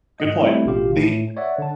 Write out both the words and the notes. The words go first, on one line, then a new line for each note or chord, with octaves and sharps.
good point. The
G#2 D#5
G3 A3 C4 D4 E4
A1 B2 F4 G4 F5
A2
C#5 D5 E5 F#5
D3 F#5 A5